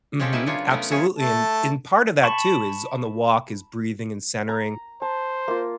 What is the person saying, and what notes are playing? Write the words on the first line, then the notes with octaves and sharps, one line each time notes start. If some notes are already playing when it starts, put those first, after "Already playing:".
Mhm. Absolutely. And and part of that, too, is on the walk is breathing and centering.
G#3 C4 C#4 F4 G4 A4
D#4 E4 A#4 B4 E5
C#3 F#3 D4 F4 C#5
A3 B3 C#4 A#4
F3 C#4 E4 F4 G#4 C#5
A3 A5
A5 B5 C#6
A#5
C5 A5
A#3 F4